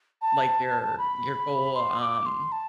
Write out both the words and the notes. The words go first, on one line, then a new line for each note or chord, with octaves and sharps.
like, your your goal, um
A5
B5
C6
D6
C6
A5